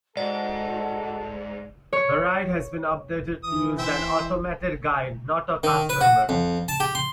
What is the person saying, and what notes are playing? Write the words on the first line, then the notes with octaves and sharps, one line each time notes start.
The ride has been updated to use an automated guide, not a cast-member.
G#2 F#4 A4 D5 D#5 F#5
C#5 C#6
E3 D#6
C5 E5 G5
D#3
B4
F#4
F2
A5
G4
C6